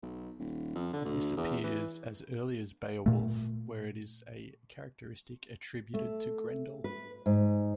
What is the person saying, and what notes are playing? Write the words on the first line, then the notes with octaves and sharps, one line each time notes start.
This appears as early as Beowulf where it is a characteristic attributed to Grendel.
B1
D#1
F2
D3
D2
E2
E3
A#2 A3
A3
B4
G#2